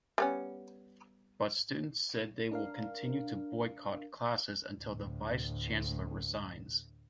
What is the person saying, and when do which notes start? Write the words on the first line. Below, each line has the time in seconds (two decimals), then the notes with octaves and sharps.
But students said they will continue to boycott classes until the Vice Chancellor resigns.
0.18 G3 B3 C#4
2.51 D4 A#4 F5
4.76 D2 A2